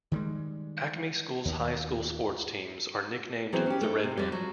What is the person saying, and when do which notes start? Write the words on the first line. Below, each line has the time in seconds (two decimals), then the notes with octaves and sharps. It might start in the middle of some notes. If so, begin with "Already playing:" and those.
Acme School's high school sports teams are nicknamed the Redmen.
0.12 D#3 E3 G3 G#3
1.45 D#2
3.53 E3 F#3 B3 C4 G#4 C5
3.66 C#4 G4
3.81 A3 D4 D#4
4.04 C3
4.17 F2 G3
4.32 F3 F#3